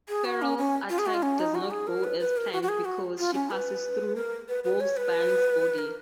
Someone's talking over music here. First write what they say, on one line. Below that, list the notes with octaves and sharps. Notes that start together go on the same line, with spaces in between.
Feral's attack does not go as planned because she passes through Wolfsbane's body.
G#4
F#4
C#4
C#4
F4
G#4
F#4
F4
C#4
D#4
F#4
G#4
A#4
B4
B4
A#4
F#4
F#4
G#4
F#4
F4
C#4
B4
A#4
B4
B4
C#5
B4
A#4